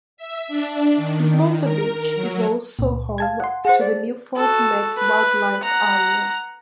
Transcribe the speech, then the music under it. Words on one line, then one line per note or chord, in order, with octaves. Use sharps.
Slaughter Beach is also home to the Milford Neck Wildlife Area.
E5
D4
D#3
A#4
F#3
C#2 A#2
F5 A5 G#6
F#5 C6
G#4 C5 F#5
D5
F#4 A4
B4
F#5 A#5